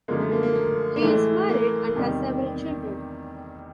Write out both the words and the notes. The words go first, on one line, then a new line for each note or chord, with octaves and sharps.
He is married and has several children.
F#2 D3 F3 G#3 A#3
A3
A#3
A#3
A#3
A2 E3 G#3 A3
A#3
E2 C3 D#3 G3